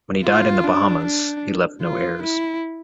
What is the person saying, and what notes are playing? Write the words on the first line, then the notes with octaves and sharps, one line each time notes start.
When he died in the Bahamas, he left no heirs.
F4
D4
D4
F4
E4